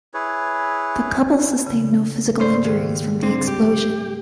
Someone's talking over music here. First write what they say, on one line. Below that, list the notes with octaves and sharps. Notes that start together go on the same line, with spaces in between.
The couple sustained no physical injuries from the explosion.
E4 G#4 B4 C#5
C#3
G#2 C#4 C5 D5
D#2 G#4
D3 G3 C4
G4